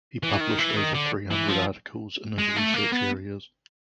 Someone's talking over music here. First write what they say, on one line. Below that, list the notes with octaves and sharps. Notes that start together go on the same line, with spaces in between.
He published over three hundred articles in his research areas.
E3
D#3
E3
D#3
D3
E3
F3
G#3
A3
A#3
B3